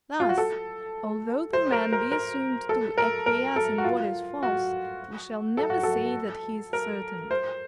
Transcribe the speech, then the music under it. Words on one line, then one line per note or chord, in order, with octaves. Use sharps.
Thus, although the man be assumed to acquiesce in what is false, we shall never say that he is certain.
F4
F#4
A4
C5
A#4
A#4
A#4
A4
A#4
A#4
A4
F#4
F4
F#4
A4
F#4
A4
A#4
C5